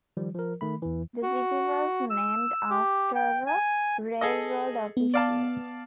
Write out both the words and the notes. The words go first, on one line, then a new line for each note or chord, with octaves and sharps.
The city was named after a railroad official.
D#3 F3 G3
F3 A#4
D#3 A3 B5
E2 E3
F#4
E6
G4
G5
G#5
G#4 A4 D#5
B3
D5 F5 A5